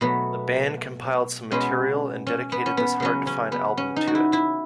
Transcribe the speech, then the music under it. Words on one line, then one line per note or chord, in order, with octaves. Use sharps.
The band compiled some material and dedicated this hard-to-find album to it.
B2 F#3 A3 B3
B2 G#3 B3 C#4
C#4
B3
C#4
B3
C#3 F#3 B3 C#4
C#4
B3
C#4
D#4
F#4
E4
E4